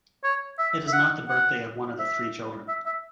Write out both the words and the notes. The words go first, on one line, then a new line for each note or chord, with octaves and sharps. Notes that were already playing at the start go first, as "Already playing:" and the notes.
It is not the birthday of one of the three children.
C#5
E5
E5
F#5
F#5
E5
E5
E5